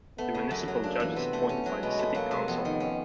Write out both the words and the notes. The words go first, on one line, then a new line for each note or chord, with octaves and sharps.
The Municipal Judge is appointed by the City Council.
A3 B3
C#3
F#2
F#3
A#3 D4
E3
C3 B3
A3
C#4
F#3
B2 G#3
A3
F#3 A#3
C3
F2 B3
D#3
C#4